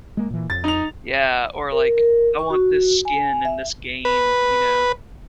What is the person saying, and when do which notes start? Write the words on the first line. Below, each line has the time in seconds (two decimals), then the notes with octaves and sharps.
Yeah. Or, like, "I want this skin in this game," you know?
0.17 G#3 A#3
0.30 A#2 E3
0.50 F2 A6
0.64 D#4 F7
1.72 A#4
1.97 A#4
2.39 C#6
2.50 F#4
3.05 G#5
3.45 E5
4.05 B4